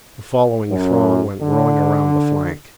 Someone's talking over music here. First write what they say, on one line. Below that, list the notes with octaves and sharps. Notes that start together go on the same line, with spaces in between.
The following throng went whirling around the flank.
F#2
D3